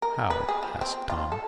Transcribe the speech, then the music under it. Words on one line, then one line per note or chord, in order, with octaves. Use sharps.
"How?" asked Tom.
A#4
B4
G#4
F3
C4
F4
A4